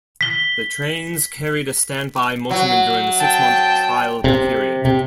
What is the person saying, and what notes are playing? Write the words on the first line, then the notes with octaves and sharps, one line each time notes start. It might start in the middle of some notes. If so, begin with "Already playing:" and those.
The trains carried a stand-by motorman during the six-month trial period.
B6 G7
F#3
G5 A5
C3
C3